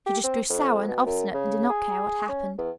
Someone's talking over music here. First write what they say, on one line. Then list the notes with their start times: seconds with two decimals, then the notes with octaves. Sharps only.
She just grew sour and obstinate and did not care what happened.
0.06 G4
0.24 C4
0.50 F2
0.88 B2
1.06 F#2
1.34 C#3
1.70 G#4
2.29 C#4
2.58 E2